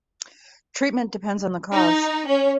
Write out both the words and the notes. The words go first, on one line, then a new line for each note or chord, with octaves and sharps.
Treatment depends on the cause.
D#4
C#4